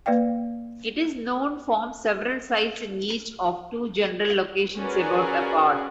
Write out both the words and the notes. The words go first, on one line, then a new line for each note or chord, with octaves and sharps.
It is known from several sites in each of two general locations about apart.
A#3 B4 D5 F5 G5
C#4 F#4 G#4 A#4 B4 D5